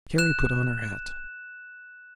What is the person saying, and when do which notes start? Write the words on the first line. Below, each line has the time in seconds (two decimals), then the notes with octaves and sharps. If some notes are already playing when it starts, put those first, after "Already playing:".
Carrie put on her hat.
0.18 F#6 E7